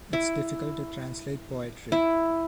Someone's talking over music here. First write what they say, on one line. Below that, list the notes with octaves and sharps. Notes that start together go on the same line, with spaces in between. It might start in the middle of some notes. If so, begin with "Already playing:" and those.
It's difficult to translate poetry.
E4
E4